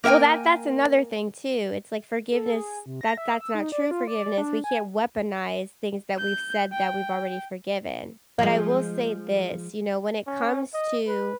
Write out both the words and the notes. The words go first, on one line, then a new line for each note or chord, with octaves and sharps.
Well, that that's another thing too, it's like forgiveness, that that's not true forgiveness, we can't weaponize things that we've said that we've already forgiven. But I will say this, you know, when it comes to
A#3 A#4 E5 G5 G#5
A4
G#4
C3
A#6
E5
E6
D#4
D5
F4
D5
D4
G#5
G6
G5
F3 G#3
C#4
D#5
B4